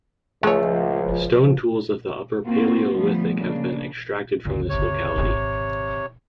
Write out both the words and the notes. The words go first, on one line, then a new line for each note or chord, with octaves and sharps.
Stone tools of the Upper Paleolithic have been extracted from this locality.
C#2 F3 G#3 A3 C#5
A#3 C4 F4 F#4
D3 F3 G3 A3 B3
C#3 A#3 D4
G1 D2 A#2 C#3
C3 C#5
G#1